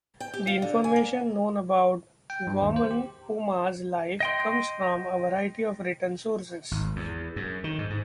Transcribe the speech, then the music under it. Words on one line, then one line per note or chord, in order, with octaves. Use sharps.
The information known about Guaman Poma's life comes from a variety of written sources.
G5
G4
F4
D3
G#5
A#3
G5
G2
D#2
C5
G4
D#5 G5 C6
G#1
E2
F#2
D#3
G#2
G#2